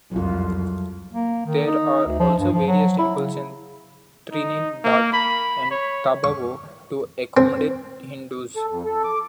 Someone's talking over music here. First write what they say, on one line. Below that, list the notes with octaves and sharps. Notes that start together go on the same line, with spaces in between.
There are also various temples in Trinidad and Tobago to accommodate Hindus.
C2 F2 F#3 F4
A#3
D#3
D#4
D2
F3
G2
F3
F#3
E4
C#3
D#4
A#3
B5
C#5
C#6
C4
A4
F2
A4
D6